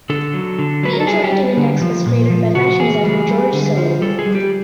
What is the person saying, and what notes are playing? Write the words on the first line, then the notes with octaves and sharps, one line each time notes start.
The interactive index was created by fashion designer George Sully.
D3 A4
F#3
D3
F#3 B4
A#4
A4
G3 G#4
G4
G3
D3
F3
A#2
F3
C#3 F#4
E3 G#4
G3
G3
D3
F3
G3 A4
G#4
G3
G4